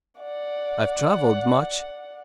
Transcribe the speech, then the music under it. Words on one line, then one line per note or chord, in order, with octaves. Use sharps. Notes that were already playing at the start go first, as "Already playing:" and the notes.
I've travelled much.
D5 F#5